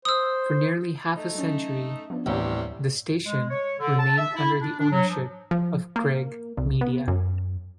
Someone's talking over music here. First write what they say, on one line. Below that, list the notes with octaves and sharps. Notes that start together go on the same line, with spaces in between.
For nearly half a century, the station remained under the ownership of Craig Media.
C5 D#6 E6
A3 D#4
F#3 C#4
F3 B3 D4
A1 D#2 C3 G3 C#5 A#5
G#3
C#5
D3
A5
E5
E4
D4
D4
F#3
F3
F3
A#3
C2
B3
F#2